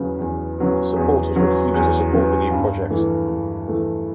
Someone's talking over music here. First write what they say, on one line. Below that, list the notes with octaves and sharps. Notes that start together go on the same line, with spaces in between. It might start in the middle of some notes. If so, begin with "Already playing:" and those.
The supporters refused to support the new project.
Already playing: E2 C#3 F#3 B3
E2
C#3 F#3 B3
E2
C#3 F#3 B3
E2
C#3 F#3 B3
G2
E3 A3
G2
E3 A3